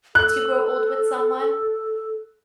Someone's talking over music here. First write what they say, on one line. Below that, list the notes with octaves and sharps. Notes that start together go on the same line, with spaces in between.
to grow old with someone,
A4 F#6